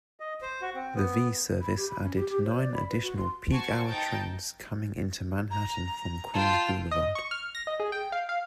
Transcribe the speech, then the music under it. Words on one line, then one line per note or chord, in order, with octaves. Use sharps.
The V service added nine additional peak-hour trains coming into Manhattan from Queens Boulevard.
D#5
C5
F#4
C4
B3
B5
G4
B5
C#4
G4
G4
C5
D5
B5
B4
F#4
C6
F#4 C5 G#5 A5 C#6
D#4 G5 A5 G6 A6 D7
A#5
F4 G5 A5
D#5
C#6
F6
A#6
D#5
G#4
G5
F5
F5